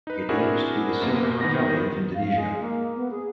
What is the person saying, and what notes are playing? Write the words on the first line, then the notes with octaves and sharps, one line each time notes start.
It aims to be the Silicon Valley of Indonesia.
D#4 B4
C4 D4 E4 F#4 G#4 A#4
F#2 A#3 B3
D#3 B3 A#6
F5
G#3
A#3
B3
G#4